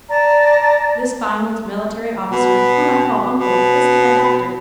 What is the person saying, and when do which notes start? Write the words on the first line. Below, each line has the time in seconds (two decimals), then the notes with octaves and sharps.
This fine old military officer whom I call uncle is the head doctor.
0.09 D5 A5 A#5
2.31 B2
3.39 B2